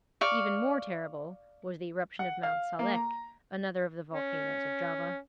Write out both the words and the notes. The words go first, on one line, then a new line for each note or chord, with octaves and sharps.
Even more terrible was the eruption of Mount Salek, another of the volcanoes of Java.
D5 F5 C#6
F#5
F5
A#3
A#5
C#4